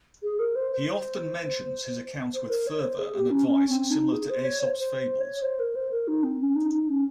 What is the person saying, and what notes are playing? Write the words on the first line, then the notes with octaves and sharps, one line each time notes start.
He often mentions his accounts with fervour and advice similar to Aesop's fables.
G#4
A#4
C5
C5
C5
A#4
C#5
C5
G#4
G4
C#4
C#4
C4
D#4
G#4
C5
C#5
C5
C5
C5
C#5
C5
A#4
C5
A#4
D#4
C4
C#4
D#4
D#4
C#4